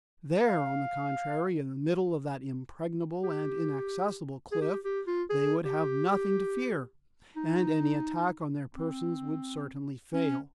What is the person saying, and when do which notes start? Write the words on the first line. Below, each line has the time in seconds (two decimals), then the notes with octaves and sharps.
There, on the contrary, in the middle of that impregnable and inaccessible cliff, they would have nothing to fear, and any attack on their persons would certainly fail.
0.47 F5
3.24 G4
4.52 G#4
4.62 G4
4.85 G4
5.07 F4
5.30 G#4
5.65 G4
7.37 D#4
8.76 C4
10.14 C#4